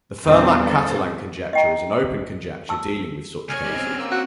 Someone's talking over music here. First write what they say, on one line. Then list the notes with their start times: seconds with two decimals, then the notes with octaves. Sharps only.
The Fermat-Catalan conjecture is an open conjecture dealing with such cases.
0.24 E2 A#2 G3 C4 D4 C5
0.62 C4 A4
1.53 D#5 G5 A#5
2.69 A5 E6
3.49 C2 C#5 G#5 F6
3.64 G3 D#4
3.76 C4 C#4
3.99 A#3 E6
4.12 F#4